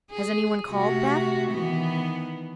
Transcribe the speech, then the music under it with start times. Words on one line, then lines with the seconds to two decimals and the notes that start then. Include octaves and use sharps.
Has anyone called, Beth?
0.11 G#4
0.69 C3 A3 F#4
1.51 D#3 E3 B3